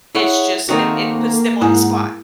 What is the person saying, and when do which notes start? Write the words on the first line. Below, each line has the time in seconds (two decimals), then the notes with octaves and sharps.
it's just it it puts them on the spot.
0.15 E4 G#4 C#5 F#5
0.69 D#3 A3 A#3 C4 D#4 F#4 E5
1.61 G#2 E4 F#5 G#5